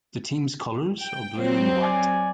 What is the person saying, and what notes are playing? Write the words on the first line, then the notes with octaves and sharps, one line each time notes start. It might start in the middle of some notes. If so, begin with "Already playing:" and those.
The team's colours are blue and white.
G5
F#3 C4
D5 G#5